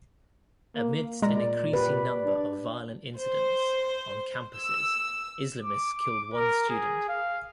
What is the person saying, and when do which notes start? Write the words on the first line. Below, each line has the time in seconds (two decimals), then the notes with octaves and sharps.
Amidst an increasing number of violent incidents on campuses, Islamists killed one student.
0.75 A#3
1.22 A#2 G#3 D5 A#5
1.73 G4 B4
2.24 D4
3.18 C5
4.58 E6
5.62 D6
5.99 D6
6.34 A#4
6.69 G#4
7.09 F5